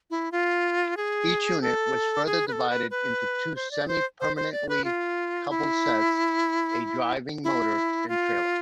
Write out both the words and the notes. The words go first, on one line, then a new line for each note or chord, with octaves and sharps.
Each unit was further divided into two semi-permanently-coupled sets, a driving motor and trailer.
E4
F4
G#4
A4
G#4
B4
A4
B4
B4
C5
D5
C5
C5
C5
D5
B4
F4
E4
E4
F4